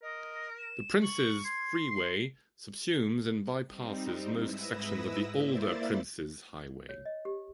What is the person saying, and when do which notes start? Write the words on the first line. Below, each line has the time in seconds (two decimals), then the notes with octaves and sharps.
The Princes Freeway subsumes and bypasses most sections of the older Princes Highway.
0.03 A#4 D#5
0.58 E7
1.03 C#6 F#7
1.44 C6 G#6
1.89 C7
3.66 G3 C4 D#4
4.40 G#2 E4 B4 D#6 E6 A#6
5.36 A#3 E4 C5 D5 E5 A6
6.89 C#5
7.06 D#5
7.25 G4